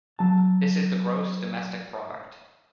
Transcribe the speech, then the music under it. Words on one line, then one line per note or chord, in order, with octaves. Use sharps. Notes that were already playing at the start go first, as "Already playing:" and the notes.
This is the gross domestic product.
F#3 A5